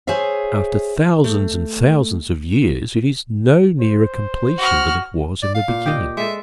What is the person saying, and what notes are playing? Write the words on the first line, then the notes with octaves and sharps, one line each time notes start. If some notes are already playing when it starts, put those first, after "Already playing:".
After thousands and thousands of years, it is no nearer completion than it was in the beginning.
G#4 C5 C#5 E5 F5
A3
C5
F#4 F6
D5
F5
A#2
G4 D5 D#5
G#3 A4 E5